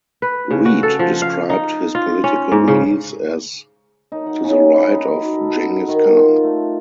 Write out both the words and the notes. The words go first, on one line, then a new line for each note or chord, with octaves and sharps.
Read described his political beliefs as "to the right of Genghis Khan".
B4
C#3
F#4
A4
F3
F5
D#4
F4
C#4
G#2
C#3
D#4
F#5
C#3
B5
D#4
F#4
A4
F#5
A#5
D#3
F4
A3